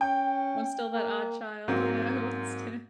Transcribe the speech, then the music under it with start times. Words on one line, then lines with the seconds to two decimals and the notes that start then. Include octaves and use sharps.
I'm still that odd child, you know, who wants to
0.01 C#4 G5
0.94 A#3
1.68 G#2 F#3 A#3 C4